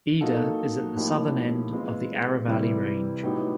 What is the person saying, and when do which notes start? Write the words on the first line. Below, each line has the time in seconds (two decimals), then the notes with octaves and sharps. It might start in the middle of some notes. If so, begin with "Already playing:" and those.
Idar is at the southern end of the Aravalli Range.
0.21 F#3 A#3 D#4 F#4 A4
0.96 A2 F3 A#3 D#4 G4
1.72 E3 G#3 C4 F4
2.48 C3 E3 G3 C4 E4
3.23 A2 F#3 B3 D#4 G4